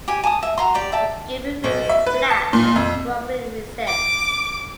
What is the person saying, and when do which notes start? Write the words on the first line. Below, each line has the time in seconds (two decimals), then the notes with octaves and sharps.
The gable roof is flat and strongly recessed.
0.08 G4 G#5
0.24 G#5 A5 D6 D#6
0.43 E5
0.58 F#4 A#5 C6
0.74 G4 D5 G5
0.92 E5 G5 A5
1.64 B1
1.89 E5
2.07 B4
2.30 A5
2.53 A#2
2.76 F2
3.87 D6